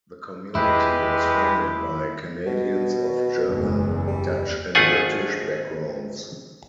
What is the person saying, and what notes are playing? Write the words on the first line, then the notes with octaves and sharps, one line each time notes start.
The community was founded by Canadians of German, Dutch and British backgrounds.
E2 G#3 E4 G4 B4
B2
F#1 E2
G3
G#1 A3 F4 G#4 F#5 G#5